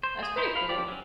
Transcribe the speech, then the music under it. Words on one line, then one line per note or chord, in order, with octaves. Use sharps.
That's pretty cool.
C5
G#4
D#4 E4 C5
F5 B5
F3 G4 D5
F#3 C#4